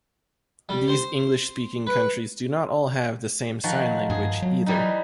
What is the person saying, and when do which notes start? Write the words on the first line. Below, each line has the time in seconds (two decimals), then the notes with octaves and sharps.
These English-speaking countries do not all have the same sign language either.
0.69 G3
0.88 C5
1.87 B4
3.64 D#3 F3 F#4
4.10 G2 G#4
4.42 F#3
4.66 E3 G3 D#4